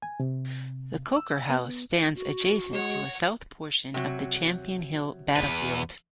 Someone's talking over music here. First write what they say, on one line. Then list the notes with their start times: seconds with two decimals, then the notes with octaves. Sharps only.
The Coker House stands adjacent to a south portion of the Champion Hill battlefield.
0.02 G#5
0.20 C3
1.16 E6
1.50 B3
2.15 F#4
2.73 G#3 C#5 F#5
3.94 C3 F#3
5.36 E2 B4